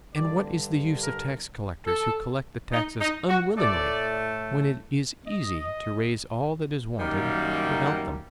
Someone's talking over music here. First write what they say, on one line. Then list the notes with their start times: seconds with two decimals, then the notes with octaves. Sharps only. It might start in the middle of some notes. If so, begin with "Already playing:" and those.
And what is the use of tax collectors who collect the taxes unwillingly, when it is easy to raise all that is wanted without them?
0.15 G2 D3 G3 D5
1.01 A#4
1.86 A4
2.72 D#4
3.00 D#4
3.28 F#4
3.57 A2 A3 D5
5.28 D#5
6.99 F#2 D#3 G3 A#3
7.84 F#5